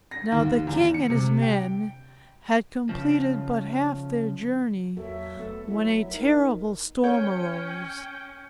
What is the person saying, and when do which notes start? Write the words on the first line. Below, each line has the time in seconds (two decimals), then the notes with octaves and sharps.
Now the king and his men had completed but half their journey when a terrible storm arose.
0.11 A#6
0.32 D#2
0.67 E2
0.94 C#7
1.10 C3
1.42 G5
2.89 C#3 F3
4.97 E2 F#3 A#3 F#4 A4 E5
5.37 D#1 A3 B3 A4
5.68 F#3 B3 E4 E5
6.11 D#1 D#4 A#4
7.04 C#4 C#5 G5